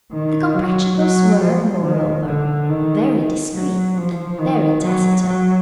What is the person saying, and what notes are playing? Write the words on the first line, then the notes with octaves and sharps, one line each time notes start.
The Comprachicos were, moreover, very discreet and very taciturn.
D#3
F#3
F#3
F3
D#3
D3
D#3
F#3
F3
D#3
F#3
F#3